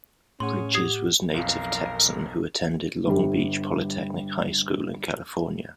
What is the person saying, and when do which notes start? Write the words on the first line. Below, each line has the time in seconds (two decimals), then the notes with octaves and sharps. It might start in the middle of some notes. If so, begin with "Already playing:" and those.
Bridges was native Texan who attended Long Beach Polytechnic High School in California.
0.40 A2 C#4 G#4 F#5 C6
0.74 G4 D#6 G#6 C7
1.34 B1 F2 A#4 F5
3.08 G1 G3